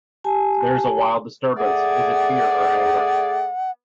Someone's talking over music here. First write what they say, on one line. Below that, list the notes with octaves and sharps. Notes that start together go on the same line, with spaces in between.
There is a wild disturbance — is it fear or anger?
G4 G#5 A5
A3 G#4 D5 F#5